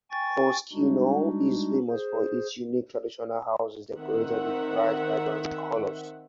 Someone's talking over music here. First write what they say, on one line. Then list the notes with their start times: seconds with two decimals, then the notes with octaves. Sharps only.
Koskinou is famous for its unique traditional houses decorated with bright, vibrant colours.
0.11 G5 G#5 C#6 A6
0.73 G3 G#3 D4 D#4 F#4
1.90 G#4 C5
3.95 D#3 C4 E5 F#5